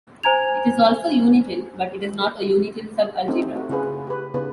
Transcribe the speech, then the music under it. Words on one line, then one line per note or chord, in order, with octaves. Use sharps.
It is also unital, but it is not a unital subalgebra.
C5 G#5 A#5 G#6 F7
A3 C4 C#4 D#4 G4
A3 F#4
C#3 C#4 F4 G#4 B4
G4 B4
C#3 B3 B4